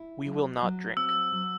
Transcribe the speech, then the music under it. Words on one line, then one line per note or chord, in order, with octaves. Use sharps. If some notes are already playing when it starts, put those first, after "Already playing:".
We will not drink.
Already playing: E4
F#3
F#3
C4 E6
F#3